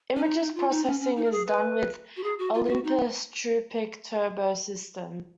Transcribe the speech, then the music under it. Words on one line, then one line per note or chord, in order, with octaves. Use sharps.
Image processing is done with Olympus' TruePic Turbo system.
C#4
D#4
D#4
F4
D#4
C#4
C#4
D#4
A#4
G#4
B4
F#4
G#4
F#4
F4
F4
F#4
D#4